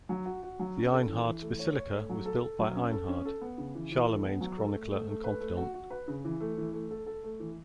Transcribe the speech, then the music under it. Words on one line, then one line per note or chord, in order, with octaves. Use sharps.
The "Einhards-Basilika" was built by Einhard, Charlemagne's chronicler and confidant.
F#3
F#4
F#4
F#3
C#4
A4
E3
E3
A3
C#5
C#5
A3
F#3
A4
A4
F#3
C#4
A4
C#4
A4
B3
C#3
E3
E3
A4
B3
F#3
A4
A3
A3
A3
B4
A3
F#4
F#4
B4
C#3
E3
A3
E3
A3
A4
A4
A3
E3